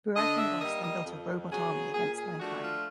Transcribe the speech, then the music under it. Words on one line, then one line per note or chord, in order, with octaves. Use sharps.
The Buraiking Boss then built a robot army against mankind.
D3 D#5
E5
G3 A#3 D#5
D#5
F2
C#3 F#3 B3 G#4
A#2 G#4
G#4
F3 A3 D4 F#4
F4